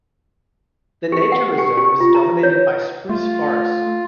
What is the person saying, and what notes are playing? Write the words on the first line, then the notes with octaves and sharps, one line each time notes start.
The nature reserve is dominated by spruce forest.
G4
F#5
G4
G4
F4
A#5
C#5
A3 F4